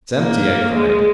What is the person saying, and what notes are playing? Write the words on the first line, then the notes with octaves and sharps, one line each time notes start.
"It's empty," I cried.
A#3
G#3